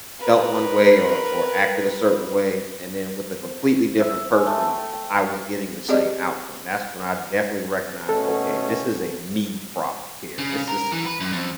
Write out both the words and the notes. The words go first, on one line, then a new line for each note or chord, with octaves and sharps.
felt one way or or acted a certain way, and then with a completely different person, I was getting the same outcome, that's when I definitely recognized, "Okay, this is a me problem here, this is
A#4 B4
C5
E5
G#3
A3
G5
G5
C4 G4 G#4 D5 D#5
B2 A3 C#4 A4
C#3
A#4
E3
B4
F#2
F2